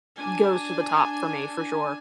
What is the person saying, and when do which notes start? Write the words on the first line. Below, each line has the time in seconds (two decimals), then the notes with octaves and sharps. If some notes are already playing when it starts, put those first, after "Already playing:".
goes to the top for me, for sure.
0.16 D4 G#5